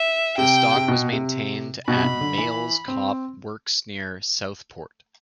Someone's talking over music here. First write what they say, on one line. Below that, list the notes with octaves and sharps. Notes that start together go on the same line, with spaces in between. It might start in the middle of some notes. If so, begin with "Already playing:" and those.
The stock was maintained at Meols Cop works near Southport.
Already playing: E5
C3 G5
C3
B2
C3
B2 B5
C3
B2
D3
E3
C4